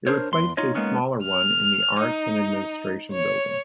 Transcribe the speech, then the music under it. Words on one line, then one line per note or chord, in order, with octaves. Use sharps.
It replaced a smaller one in the Arts and Administration building.
D4 A#4 C5 C#5
E2 C6
D#4 F4 C#5 D#5
G#3 A#3 B3 C#4 D#4
F6
D#4
C#5